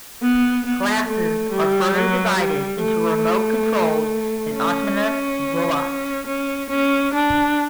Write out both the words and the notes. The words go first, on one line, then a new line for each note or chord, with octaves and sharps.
Classes are further divided into remote-controlled and autonomous robots.
B3
B3
A3
G3
F#3
G3
A3
C#4
C#4
C#4
D4